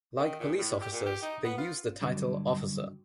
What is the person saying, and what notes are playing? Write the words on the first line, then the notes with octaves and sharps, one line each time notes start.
Like police officers, they use the title officer.
D#3
A#2
A2
G4
A#2
G4
D#4
B3
F4
G2 D3 F#3